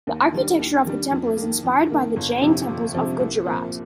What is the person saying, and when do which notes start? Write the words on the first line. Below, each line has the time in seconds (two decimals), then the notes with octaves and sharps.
The architecture of the temple is inspired by the Jain temples of Gujarat.
0.07 D#2
0.32 D#3 G3 D4
0.59 D#2
0.85 D#3 G3 D4
1.11 F2
1.37 A#3
1.42 D#3
1.63 F2
1.89 D#3 A#3
2.16 G1
2.41 F2 C3 F3 C4
2.68 G1
2.94 F2 C3 F3 C4
3.20 C2
3.46 A#2 F3 C4